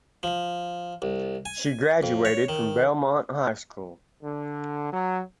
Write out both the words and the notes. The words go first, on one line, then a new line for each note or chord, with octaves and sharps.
She graduated from Belmont High School.
F3
C2
G#5
F2
C#5
D#3
D3
F#3